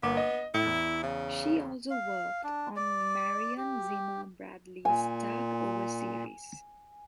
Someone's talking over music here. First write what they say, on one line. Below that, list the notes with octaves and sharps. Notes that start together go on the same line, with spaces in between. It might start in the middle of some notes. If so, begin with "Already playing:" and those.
She also worked on Marion Zimmer Bradley's Darkover series.
G1 A#3 B3 D6
D#5
A2 E4
E2
C#3
F5
D4
D5
G4
A#2 G#5